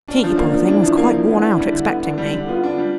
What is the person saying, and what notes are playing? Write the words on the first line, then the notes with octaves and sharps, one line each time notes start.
She, poor thing, was quite worn out expecting me.
C#4 D4
F3
D4
A#3
D4
F3
D4 E4
F3
A#3
F3
B3 E4
D4
G3
D3
B3
D4
G3
D3
B3 F4
D4
G3